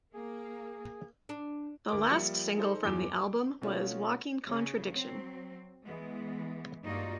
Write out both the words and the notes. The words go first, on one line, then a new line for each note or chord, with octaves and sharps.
The last single from the album was "Walking Contradiction".
A#3 G#4
D4
D2 A#4 D6
F3 G3 A#3 E5 C#7
D#4 G#4 A4 C5
E2 G2 F3 E4 D6 G7
D6
B2 A3 C#4 F4
C#3
F#3 C4
E3 G#3 B3
G2 A#3 D#4 F4 F#4 D5